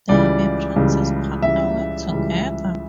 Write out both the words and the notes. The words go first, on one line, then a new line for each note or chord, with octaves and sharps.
They may practice partner work together.
C#2 C#3 E3 G3 D5
C#2 C#3 E3 G3
C#2 C#3 E3 G3 E5
C#2 C#3 E3 G3